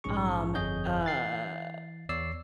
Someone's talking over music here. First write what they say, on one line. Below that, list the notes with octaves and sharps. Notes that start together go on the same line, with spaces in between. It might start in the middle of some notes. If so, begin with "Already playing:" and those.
Um, uh,
A#1 G#2 C#4 G#4 C#6
G1 F2 G#4 C#5 D#5 G6
E3 A6 C7
E2 C#5 D5 E6 C7